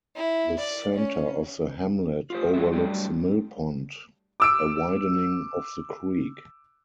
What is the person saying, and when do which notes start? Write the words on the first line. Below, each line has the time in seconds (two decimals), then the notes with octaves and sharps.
The center of the hamlet overlooks Mill Pond, a widening of the creek.
0.16 E4
0.59 D5
0.95 C#4
2.30 F4 G4 C5
2.54 F#3 G#3 F4 A4 E5
2.73 A2 F#3 G3 D4 G4
4.40 D6 E6 D7